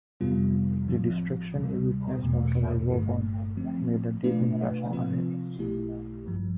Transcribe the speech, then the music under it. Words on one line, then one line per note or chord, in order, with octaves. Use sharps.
The destruction he witnessed after World War One made a deep impression on him.
F2 C3 G3 B3 F4
A1 A2 F3 C4 F4
D2 C3 G3
E2 B2 A3
G1 G2 D3 A3
D3 F3 A3 C4
B2 A3 D4 F4 B4
C3 F3 C4 F4
B1 B2 A3 E4 G4
A1 G2 F3